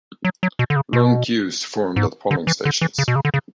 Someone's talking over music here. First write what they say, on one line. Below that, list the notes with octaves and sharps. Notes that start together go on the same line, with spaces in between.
Long queues formed at polling stations.
F#3
F#3
B2
D3
C#3
B2
G#2
D3
E3
D3
E3
C#3
B2
C#3
D3
C#3